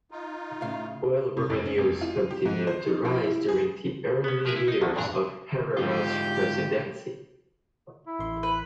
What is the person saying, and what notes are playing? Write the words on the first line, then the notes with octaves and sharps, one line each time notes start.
Oil revenues continued to rise during the early years of Herrera's presidency.
D#4 F4
A2 C#3 F5
C3
F1
C#4
F1
F4
G4
G#2
C5
D#4
F3
E4
G#4
B3 C#4
F3 G4 G#4 A#4 B4 E5
E4
D#4 D#5
D2 D3 D#3
E2 G2 A#2 D4 A#5
G#2 D3 F4 G4
E4
A1 C6
B4